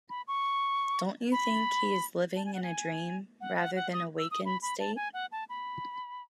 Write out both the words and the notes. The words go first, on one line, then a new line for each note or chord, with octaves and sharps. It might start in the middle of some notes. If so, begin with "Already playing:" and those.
Don't you think he is living in a dream rather than a wakened state?
B5
C#6
B5
A5
G#5
F#5
G#5
F#5
F#5
F#5
D#6
E6
D#6
B5
B5
A5
G#5
F#5
A5
B5